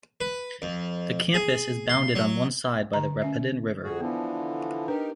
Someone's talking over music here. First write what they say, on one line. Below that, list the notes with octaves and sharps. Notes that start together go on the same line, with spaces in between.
The campus is bounded on one side by the Rapidan River.
B4
F2
G#4
C6
F#3
D3 A#5
C#4 E5
F2 F#4 G#4
D3 E3 F3 B3
D4 D#4 G4 A#4 B4